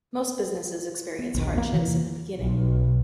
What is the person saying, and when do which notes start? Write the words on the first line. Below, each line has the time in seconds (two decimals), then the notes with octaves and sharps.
Most businesses experience hardships in the beginning.
1.19 B3
1.35 A#1 D#2 D#3
1.55 E2 A#3
1.73 C3 E3
2.39 B1